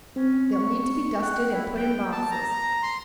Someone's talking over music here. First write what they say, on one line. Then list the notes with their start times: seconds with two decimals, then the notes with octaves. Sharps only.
They'll need to be dusted and put in boxes.
0.16 C4 C#4
0.52 C#6
1.22 F#5 G5
1.53 E4
1.77 G5
2.12 A5
2.31 A#5
2.50 A#5
2.82 C6